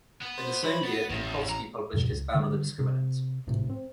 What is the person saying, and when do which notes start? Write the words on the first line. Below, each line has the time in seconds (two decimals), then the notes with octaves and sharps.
In the same year, Minkowski published his bound on the discriminant.
0.21 B3
0.38 C5
0.63 E3 C5 C#5 B5
0.83 B3 A6 B6
1.10 A1 E2
1.49 A#5
1.93 E2 G2 B2 F#3
2.08 C#2
2.34 D3 F#3 G3
2.79 C3
3.47 G#1 A2 C3
3.70 C4